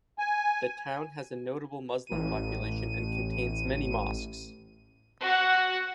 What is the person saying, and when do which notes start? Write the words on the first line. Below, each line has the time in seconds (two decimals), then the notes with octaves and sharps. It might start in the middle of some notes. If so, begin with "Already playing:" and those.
The town has a notable Muslim population and contains many mosques.
0.19 G#5
2.07 A1 D#7
5.20 F#4 F#5